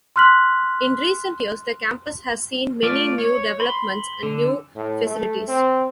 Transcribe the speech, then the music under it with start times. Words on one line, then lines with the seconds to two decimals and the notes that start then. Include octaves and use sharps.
In recent years the campus has seen many new developments and new facilities.
0.16 C6 F6 F#6 B6 F#7
2.83 A3 F4 D5
3.18 C#5
3.60 B5 C6
4.23 D3
4.76 A2
5.07 A3
5.48 C4